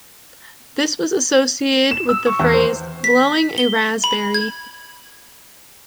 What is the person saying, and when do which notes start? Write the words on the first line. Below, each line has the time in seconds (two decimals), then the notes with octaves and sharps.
This was associated with the phrase "blowing a raspberry".
1.91 E7
2.09 E6
2.26 C#6
2.40 E2
2.54 C5
3.04 B6
3.58 G7
4.04 B5
4.34 G#6